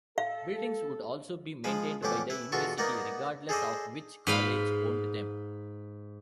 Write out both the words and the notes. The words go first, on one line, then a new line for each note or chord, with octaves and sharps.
Buildings would also be maintained by the university regardless of which college owned them.
A4 F5
F3 G#3 F5 B5 D#6
A1 F2 D3 C#4 G4 D6
E4 B4
E2 B2 F4 F#4 A4 C#6
A#3 B3 D#4 A#4 D5 F#5
G#4 A4 C5 D5 D#5
G#2 B4 F5 B5